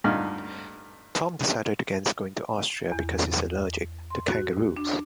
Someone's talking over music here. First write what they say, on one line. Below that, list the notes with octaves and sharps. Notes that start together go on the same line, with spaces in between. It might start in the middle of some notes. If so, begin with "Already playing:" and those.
Tom decided against going to Austria because he's allergic to kangaroos.
D2 G2 D#4 F4 F6
E2
C6
F#4
D4